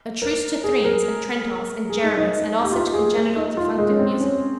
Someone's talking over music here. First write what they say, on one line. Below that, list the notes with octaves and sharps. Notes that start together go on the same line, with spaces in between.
A truce to threnes and trentals and jeremies and all such congenital defunctive music!
A#4
G#4
A#4
G#4
D#4
D#4
G4
F4
G#4
A#4
D#4
F4
G#3
C#4
C4
C#4